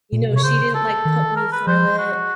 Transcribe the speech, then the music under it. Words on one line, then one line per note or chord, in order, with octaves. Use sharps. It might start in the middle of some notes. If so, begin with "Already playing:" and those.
You know, she didn't, like, put me through it,
A#2
B2
C3 C#5
C#3 C5
A4
D#3
A#4
B4
F3 C5
F#4